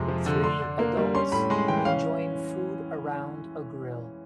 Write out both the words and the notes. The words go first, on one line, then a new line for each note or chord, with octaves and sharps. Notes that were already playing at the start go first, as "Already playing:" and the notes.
Three adults enjoying food around a grill.
Already playing: F2 C3 G#3 C6
F3
D3
D4 C6
D3
A#3
G3
C#4 C6
A2 B5
G#3 C6
E3 G5
C#4 F5